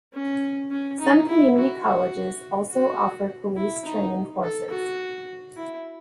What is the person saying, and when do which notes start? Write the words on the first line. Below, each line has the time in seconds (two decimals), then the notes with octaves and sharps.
Some community colleges also offer police training courses.
0.14 C#4
0.71 C#4
1.00 D#4
1.29 E4
1.57 F#4
1.85 F#4
2.71 F#4
3.56 E4
3.85 D#4
4.43 A4
4.70 F#4
5.57 E4